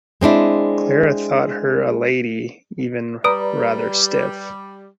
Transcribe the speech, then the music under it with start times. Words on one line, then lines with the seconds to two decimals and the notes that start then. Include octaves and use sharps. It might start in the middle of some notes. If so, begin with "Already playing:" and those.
Clara thought her a lady, even rather stiff.
0.21 G#3 C4 D4 E4
3.24 G3 B4 D5 A#5 D#6 D7